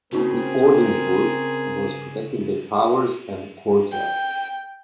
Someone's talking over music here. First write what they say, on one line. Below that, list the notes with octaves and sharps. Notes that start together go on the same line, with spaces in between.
The Ordensburg was protected by towers and courtyards.
C#3 A#3 C4 D#4 F#4 G#4 A#4
G5